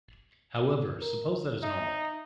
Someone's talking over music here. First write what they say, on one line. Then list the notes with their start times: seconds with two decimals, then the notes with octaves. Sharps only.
However, suppose that is normal.
1.02 A#4
1.63 D#4 E5